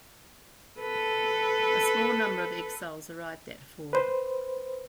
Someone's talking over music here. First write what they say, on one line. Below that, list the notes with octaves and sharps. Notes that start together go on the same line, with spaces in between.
A small number of exiles arrived that fall.
A4 B4
B4 C5